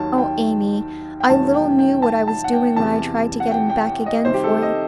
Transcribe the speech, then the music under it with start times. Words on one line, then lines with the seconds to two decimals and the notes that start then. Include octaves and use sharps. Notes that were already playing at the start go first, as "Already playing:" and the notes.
Oh, Amy, I little knew what I was doing when I tried to get him back again for you.
Already playing: D#2 D#3 F#3 A5
0.18 G5
1.20 G5
1.30 E1 E2 D#3 F#3 A5
1.54 G5
1.79 G5
2.02 A5
2.28 A5
2.44 F#5
2.53 G5
2.76 E2 C3 E3 A5
3.40 F#5
3.51 G5
3.69 G5
4.06 D#5
4.25 C2 C3 D#3 C5
4.34 G4
4.44 A4
4.62 D#5